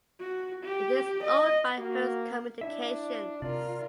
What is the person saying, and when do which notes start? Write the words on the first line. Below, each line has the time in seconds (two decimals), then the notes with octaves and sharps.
It is owned by Hearst Communications.
0.20 F#4
0.64 G4
1.24 D#5
1.78 A#3 F#4
2.61 D4 E4 E5
3.42 C3 F4 A#4 D5